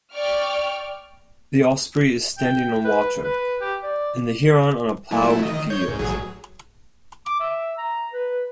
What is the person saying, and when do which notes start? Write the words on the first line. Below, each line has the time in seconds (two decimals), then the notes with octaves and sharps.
The osprey is standing on water, and the heron on a ploughed field.
0.14 D5 G5 C#6 F6
2.38 G5
2.85 B4
3.24 B4
3.61 G4
3.83 D5
5.11 F#3 A3 E4
5.43 D#3 D#5
5.70 C#5 G6
5.88 G#2
5.99 A1 F#3 G#4
7.26 D6
7.40 E5
7.78 A#5
8.13 B4